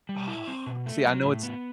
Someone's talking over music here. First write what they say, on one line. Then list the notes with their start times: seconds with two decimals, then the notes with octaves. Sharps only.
Oh, see, I know it's,
0.09 G3
0.28 E4
0.48 C4
0.67 B2
0.86 A3
1.05 F#3
1.24 A2
1.43 B3